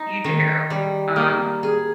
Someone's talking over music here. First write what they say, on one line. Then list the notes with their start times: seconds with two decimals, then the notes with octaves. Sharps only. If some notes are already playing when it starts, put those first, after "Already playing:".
You do, um
Already playing: D#4
0.24 D#3
0.70 G3
1.16 A#3
1.63 G#4